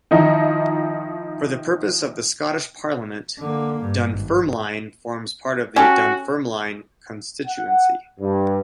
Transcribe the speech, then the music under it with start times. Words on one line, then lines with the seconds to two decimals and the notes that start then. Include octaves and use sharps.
For the purposes of the Scottish Parliament, Dunfermline forms part of the Dunfermline constituency.
0.11 D#3 F3 D#4 E4
3.39 D3 A#3
3.81 G2
4.12 G#1
5.76 C#4 F#4 G4 A4
7.47 F#5
8.20 G2